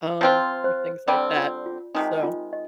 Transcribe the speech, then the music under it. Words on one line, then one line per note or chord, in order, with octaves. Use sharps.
um, or things like that. So,
F3 C4 F4 C5
C5
D3 G3 C4 D5
F4
F4
C3 D#3 G#3 D#4
F4
D#5